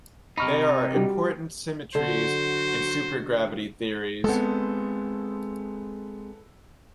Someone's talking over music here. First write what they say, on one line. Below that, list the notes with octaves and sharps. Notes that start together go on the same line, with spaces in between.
They are important symmetries in supergravity theories.
C3 D#4 B5 C#6 F6
G3 F#4 G4
D3 F#3 F#4 C5
G#3 B3 C4 A4